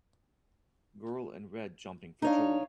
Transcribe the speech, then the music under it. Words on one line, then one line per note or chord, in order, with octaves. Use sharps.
Girl in red jumping for joy.
D4 D#4 C#5 F5